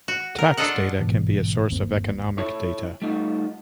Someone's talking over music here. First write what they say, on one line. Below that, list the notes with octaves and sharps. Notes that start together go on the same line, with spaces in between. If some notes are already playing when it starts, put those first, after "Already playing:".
Tax data can be a source of economic data.
F#4
A#4
D4 F4 A4 D#5 F#5
A1 G#2 B2 E3
G1 D#2 A#3 C4
E4 A4 C#5
G3 A3 D#4 F4 F#4